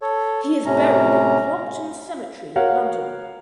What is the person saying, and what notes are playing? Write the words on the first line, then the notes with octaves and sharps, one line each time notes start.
He is buried in Brompton Cemetery, London.
A4 C#5
A2 C3 C#4 A#5
F#4 A#4 C#5 F5 F#5